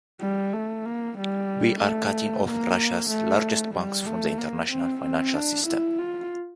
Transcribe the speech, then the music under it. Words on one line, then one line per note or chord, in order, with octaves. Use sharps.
We are cutting off Russia’s largest banks from the international financial system.
G3
A3
A#3
G3
A3
A#3
A3
G3
A3
A#3
C4
C4
D4
E4
F4